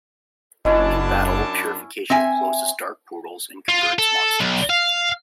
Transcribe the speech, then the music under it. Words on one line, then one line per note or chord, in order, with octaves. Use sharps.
In battle, purification closes dark portals and converts monsters.
F#1 F#2 C#4 D4 E4 D#5 A5
C4 E5 G#5
F4
A4
B1
F5